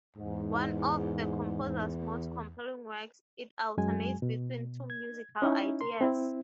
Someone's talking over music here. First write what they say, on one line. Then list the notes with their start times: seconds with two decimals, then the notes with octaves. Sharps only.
One of the composer's most compelling works, it alternates between two musical ideas.
0.16 E2 G#2
1.63 E2
3.77 F#2 F#3 G#3 G#5
4.22 B2
4.90 G#6
5.42 C#4 D#4 E4
5.81 A#4 C6
6.01 C4 E4